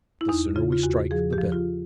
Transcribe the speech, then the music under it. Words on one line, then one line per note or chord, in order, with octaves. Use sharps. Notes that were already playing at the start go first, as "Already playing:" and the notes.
The sooner we strike the better.
E4
E2 D#4
C#3 F4
F4
E2 F#4
F3 G#4
G4
F3
F4